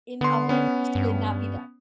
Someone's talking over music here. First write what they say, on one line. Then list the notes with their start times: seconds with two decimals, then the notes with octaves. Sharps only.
in public should not be done.
0.21 D3 B3 C6
0.49 B3 C#4
0.95 G2